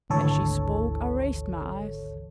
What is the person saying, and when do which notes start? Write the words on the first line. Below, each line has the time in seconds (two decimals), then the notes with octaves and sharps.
As she spoke I raised my eyes.
0.10 G#1 D2 E3 A4 C#5